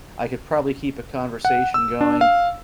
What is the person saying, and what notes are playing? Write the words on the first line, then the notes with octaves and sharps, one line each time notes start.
I could probably keep a conversation going,
F#5
E6
D4
F5